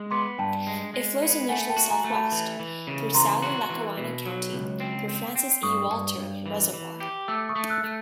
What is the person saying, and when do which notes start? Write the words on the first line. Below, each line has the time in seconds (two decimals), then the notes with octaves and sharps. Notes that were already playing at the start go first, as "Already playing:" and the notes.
It flows initially southwest, through southern Lackawanna County, through Francis E. Walter Reservoir.
Already playing: G#3
0.11 B3 C6 D6
0.39 G2 G5 A5
0.67 G#3
0.94 G#3
1.22 B3
1.49 A3 F#5 G#5
1.69 G5 A5
1.76 F#4
1.90 G#5 A#5
2.04 A3
2.11 A5 B5
2.32 E3
2.60 E3
2.87 C#3
3.14 E3 A#5 C6
3.42 F#4
3.70 E3
3.98 B2
4.25 F#3
4.52 C#2
4.80 C4
5.08 C4
5.36 C4
5.63 G2 C#6 D#6
5.91 G2
6.18 G2
6.46 E3
6.73 E3
7.00 G4
7.28 A3 D6 E6
7.49 C#6 D#6
7.56 A3
7.70 E6 F#6
7.84 A3